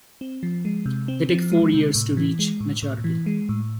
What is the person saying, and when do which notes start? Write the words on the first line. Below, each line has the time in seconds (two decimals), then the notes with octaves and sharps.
They take four years to reach maturity.
0.21 C4
0.43 F3
0.65 G#3
0.86 C3
1.08 C4
1.29 F3
1.52 G#3
1.74 C3
1.95 A2
2.17 E3
2.39 G#3
2.61 A2
2.82 A2
3.04 E3
3.26 G#3
3.49 A2